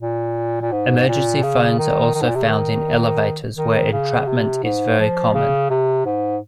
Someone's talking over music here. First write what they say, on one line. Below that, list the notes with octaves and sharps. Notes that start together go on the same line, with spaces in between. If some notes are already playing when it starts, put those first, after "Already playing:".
Emergency phones are also found in elevators where entrapment is very common.
A#2
A#2
G#2
A#2
C#3
D#3
D#3
G#2
A#2
C3
C#3
D#3
D#3
C#3
C3
G#2
F3
C#3
C3
G#2